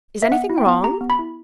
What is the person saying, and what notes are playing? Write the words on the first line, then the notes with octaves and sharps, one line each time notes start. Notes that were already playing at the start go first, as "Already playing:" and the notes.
"Is anything wrong?"
E5
B3 F#5
E4
G5
B3
G4 A#5
B3
B5
E4